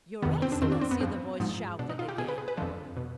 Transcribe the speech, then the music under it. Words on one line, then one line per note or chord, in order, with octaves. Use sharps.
"Your Excellency!" the voice shouted again.
F2 C3 D#3 B3
C4
D4
F2 D#3 C4
D4
C4
B3
G2 F3 C4
G#2 F3
B2 D4
D#4
F4
G4
B2 G#4
B4
G#4
B4
F2 D3 F3 D4
B2